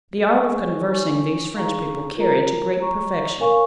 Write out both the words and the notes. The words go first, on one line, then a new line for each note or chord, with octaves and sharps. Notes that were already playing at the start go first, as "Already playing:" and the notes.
The art of conversing these French people carry to great perfection.
G#4 D#5 G#5 C#6
D#4 C#5 G#5 C#6
D#4 G#4 F5 A#5 C#6
F4 A#4 C#5 A#5
C#5 A#5 C#6
A#4 C#5 F5 G#5 C#6